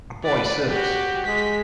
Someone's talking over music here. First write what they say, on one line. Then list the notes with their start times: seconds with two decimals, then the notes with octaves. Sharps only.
A boy surfs.
0.24 B4 D5
0.68 F#4 G4
1.25 G#3 B6